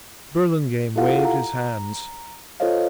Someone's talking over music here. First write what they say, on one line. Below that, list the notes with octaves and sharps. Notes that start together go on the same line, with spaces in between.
Burlingame waved his hands.
E4 F4 G4 A4 F5 F#5
A#5
F4 A4 C5 C#5 D#5 F5